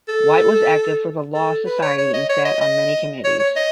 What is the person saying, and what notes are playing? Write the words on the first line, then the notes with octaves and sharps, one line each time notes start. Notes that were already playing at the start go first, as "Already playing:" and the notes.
White was active for the law society and sat on many committees.
A4
A4
B4
C#5
C#5
D#5
C#5
D#5
D#5
C#5
C#5
D#5